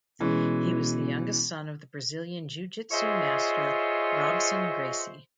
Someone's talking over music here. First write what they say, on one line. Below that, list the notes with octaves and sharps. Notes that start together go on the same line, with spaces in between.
He was the youngest son of the Brazilian Jiu-Jitsu Master Robson Gracie.
B2 E3 G#3 C#4
F4 G#4 C5 C#5 D#5 E5